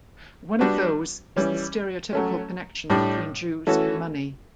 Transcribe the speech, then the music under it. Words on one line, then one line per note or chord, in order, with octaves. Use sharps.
One of those is the stereotypical connection between Jews and money.
G3 B3 D4 F#4 B4
E3 G3 C#4
F#3 A3 C#4
A2 G3 D4
E3 A3 C#4 F#4 A4